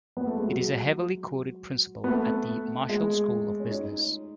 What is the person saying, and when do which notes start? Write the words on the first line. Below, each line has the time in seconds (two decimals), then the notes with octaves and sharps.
It is a heavily quoted principle at the Marshall School of Business.
0.17 B3
0.26 A3
0.37 G#3
0.47 F#3
2.04 B3
2.09 A3
2.89 G#3
3.60 C#4
3.71 D#4